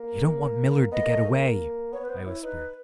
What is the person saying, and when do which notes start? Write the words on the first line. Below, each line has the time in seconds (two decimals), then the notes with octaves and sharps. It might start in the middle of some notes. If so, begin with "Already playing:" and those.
"You don't want Millard to get away," I whispered.
Already playing: A#3
0.92 B3 D#5
1.03 A#3
1.14 A3
1.25 A#3
1.93 B3 C#5
2.03 B4
2.09 B3 C5
2.26 E4 C#5
2.43 D#4 B4